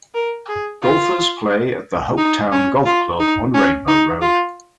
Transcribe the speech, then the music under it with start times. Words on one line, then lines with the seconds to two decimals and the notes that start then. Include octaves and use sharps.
Golfers play at the Hopetoun Golf Club on Rainbow Road.
0.14 A#4
0.49 G#4
0.82 F4
2.18 D#4
2.52 C#4
2.86 F4
3.19 D#4
3.54 C#4
3.87 D#4
4.21 F4